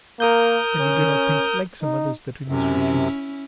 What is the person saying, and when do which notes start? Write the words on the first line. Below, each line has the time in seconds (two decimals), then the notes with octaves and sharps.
"Then you do not think, like some others, that we must retreat?"
0.20 A#3 A#4 D#6 G6
0.79 C#4
1.82 D#4
2.48 F#2 C3 C#4 E4